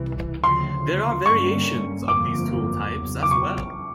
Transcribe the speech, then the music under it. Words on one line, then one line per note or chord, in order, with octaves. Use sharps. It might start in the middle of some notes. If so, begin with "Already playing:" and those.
There are variations of these tool types as well.
Already playing: C2 C3 E3
D2 C#3 F3 C6
G2 D3 G3 A#3 C#4 C#6
G1 F2 D3 F3 A#3 D6
E2 C#3 F#3
D6
C#6